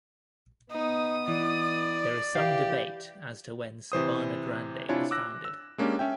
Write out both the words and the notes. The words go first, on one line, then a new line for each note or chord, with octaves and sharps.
There is some debate as to when Sabana Grande was founded.
B3 D#4 D#6
E3 D5
E3 G4 F5
C3 E3 C5 D#6
C3 D4 E4 F4 C#5 G#5
D6 E6 F#6 A#6
E6
G#3 A#3 C#4 D4 G4
C#4 E5 G5